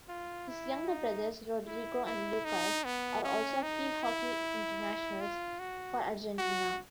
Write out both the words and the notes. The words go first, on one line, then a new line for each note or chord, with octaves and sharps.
His younger brothers Rodrigo and Lucas are also field hockey internationals for Argentina.
F4
E4
D#4
E4
E4
D#4
B3
C#4
D#4
E4
F4
F#4
F#4